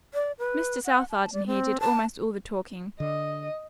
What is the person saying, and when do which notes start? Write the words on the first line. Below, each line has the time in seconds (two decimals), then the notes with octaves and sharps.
Mr. Southard and he did almost all the talking.
0.14 D5
0.39 B4
0.85 F#5
1.10 A5
1.33 D5
1.47 C4
1.80 A5
3.00 D3 D#5